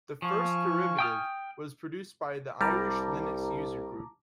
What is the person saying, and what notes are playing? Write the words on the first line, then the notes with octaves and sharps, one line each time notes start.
The first derivative was produced by the Irish Linux Users Group.
F3 F5 G#5 C#6
G5 D#6 F6
C2 G3 A5 A#5 D6